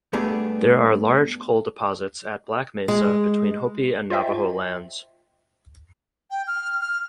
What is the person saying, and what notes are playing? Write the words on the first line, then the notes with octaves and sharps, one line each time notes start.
There are large coal deposits at Black Mesa between Hopi and Navajo lands.
G2 A3 B3 D4 G#4
G#3
F4 C5 D#5 E5 G5
G5
F6
F6